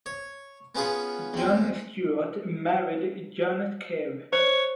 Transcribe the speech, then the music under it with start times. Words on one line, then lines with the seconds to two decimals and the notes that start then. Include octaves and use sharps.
John Stewart married Jonet Ker.
0.06 C#5
0.75 B3 C#4 F4 G#4 B4
1.34 E2 C4
4.33 C5 C#5